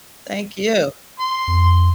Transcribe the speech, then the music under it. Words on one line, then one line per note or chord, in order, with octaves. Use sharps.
Thank you.
C6
F2